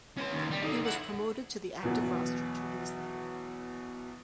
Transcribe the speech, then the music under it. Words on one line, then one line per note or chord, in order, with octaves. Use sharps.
He was promoted to the active roster two days later.
C#4 C6
D#2
G3
D#4 A4
E4 F#5
E2 B2 F#3 B3